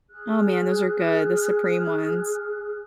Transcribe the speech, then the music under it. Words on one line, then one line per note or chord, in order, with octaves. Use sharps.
Oh, man, those are good, the supreme ones.
G#4 F6 F#6